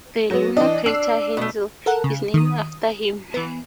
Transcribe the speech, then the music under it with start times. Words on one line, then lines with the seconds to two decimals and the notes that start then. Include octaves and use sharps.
The lunar crater Hainzel is named after him.
0.31 F#3 B3
0.57 E3 D4 D#5
0.86 D4 E6 C7
1.37 B2 A3
1.86 A4 A#4 F#5
2.04 C#3
2.34 D#3 D#6
3.34 E3 B3